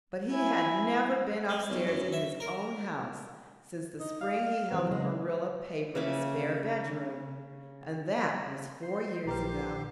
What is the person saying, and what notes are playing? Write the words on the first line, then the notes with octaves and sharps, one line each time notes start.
But he had never been upstairs in his own house since the spring he helped Marilla paper the spare bedroom, and that was four years ago.
E4 G#5
G#3
B1
F#2
E5
A#4
D#4
F5
E3 F#3 C4 B4
C#3 G#3 C#5
C#3 A#3 E5 D6
C5
A#1 E4 G4 B4